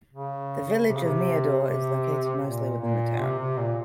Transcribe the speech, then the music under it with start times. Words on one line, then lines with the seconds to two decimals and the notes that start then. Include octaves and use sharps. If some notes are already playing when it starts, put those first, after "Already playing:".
The Village of Milladore is located mostly within the town.
0.13 C#3
0.90 C3
0.96 C#3
1.04 C3
1.66 C3
2.43 A#2
2.80 A#2
3.19 C3
3.39 C3
3.58 A#2